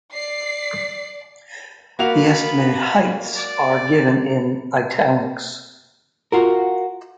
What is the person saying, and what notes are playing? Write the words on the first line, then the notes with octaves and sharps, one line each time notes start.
The estimated heights are given in "italics".
D5 C7
A#3 B3 F#4 B5 F7
D5
F4 F#4 A#4